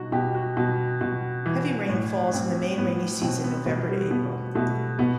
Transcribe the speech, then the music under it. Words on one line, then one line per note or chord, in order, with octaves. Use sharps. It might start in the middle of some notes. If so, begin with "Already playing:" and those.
Heavy rain falls in the main rainy season November to April.
Already playing: B2 D#4 F#4
B2 G4
F#4
B2
B2
E3
A2
A2 C4
A2 B3
B2 C4
B3
B2 A3
G3
B2 B3
B2 A3
B2 B3